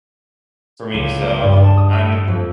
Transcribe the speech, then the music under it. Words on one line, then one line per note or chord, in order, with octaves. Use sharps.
for me, so, I'm
C#2
A#3
G2
A5
D#6
E6
A4
F2